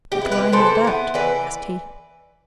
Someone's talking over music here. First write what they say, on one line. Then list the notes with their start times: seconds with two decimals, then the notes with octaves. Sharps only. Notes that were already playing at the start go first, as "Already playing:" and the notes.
"What wine is that?" asked he.
0.12 G4
0.21 B3 E4
0.32 G4 B4
0.52 E3 A4 C5
0.85 B3 E4
1.14 E3 B4 D5